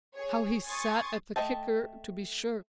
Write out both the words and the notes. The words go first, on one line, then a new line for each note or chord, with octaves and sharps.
How he sat the kicker to be sure!
G#4 C#5
G#5 C6 C#6 D#6 G#6 A6
A3 B4 D#5 G5 A5